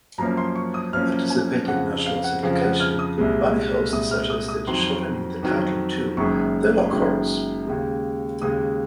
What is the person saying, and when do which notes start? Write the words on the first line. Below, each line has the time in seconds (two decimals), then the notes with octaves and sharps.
Anticipating national syndication, Bunny Hoest suggested shortening the title to "The Lockhorns".
0.18 F#2 F3 A#3 C#4 A#5
0.37 C6
0.56 C#6
0.74 D#6
0.93 F#2 F3 A#3 C#4 F6
1.30 G#5
1.68 F2 C#3 F3 F#5
2.05 F5
2.24 F#5
2.43 F2 C#3 F3 F5
2.61 F#5
2.80 F6
2.99 D#6
3.18 C2 A#2 G#3
3.92 C2 A#2 G#3 D#6
4.11 F6
4.30 D#6
4.48 D#6
4.67 F2 D#3 F#3 C6
5.43 F2 D#3 F#3
6.17 F#1 F#2 D#3 G#3 C#6
6.92 F#1 F#2 D#3 G#3
7.67 D#2 C#3 G#3
8.42 D#2 C#3 G#3 D#6